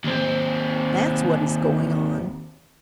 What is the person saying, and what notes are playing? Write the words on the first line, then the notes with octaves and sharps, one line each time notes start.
That's what is going on!
D#2 C4